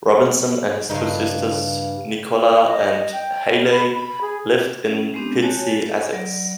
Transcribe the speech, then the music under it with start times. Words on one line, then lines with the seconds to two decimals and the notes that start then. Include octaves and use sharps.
Robinson and his two sisters, Nicola and Hayley, lived in Pitsea, Essex.
0.90 G2 C#3 D#4
2.65 D#5
3.13 G5
3.58 A#4
3.71 B5
3.95 B5
4.21 G#4
4.86 C#4
5.14 G#3 B3 C4 D4 G4
5.42 F#4 G4 C#5 G#5 A5
5.67 A4
6.13 F#3 D5